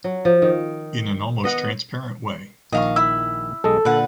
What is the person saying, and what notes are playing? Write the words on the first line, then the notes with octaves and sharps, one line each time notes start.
In an almost transparent way.
F#3
F3
D#3
B3 D#5 F#5
A#1 D#3 D#5 F5 C#6
E4 B5 E6
B1 G#3 A4 D#5
A#2 D3 B4 F#5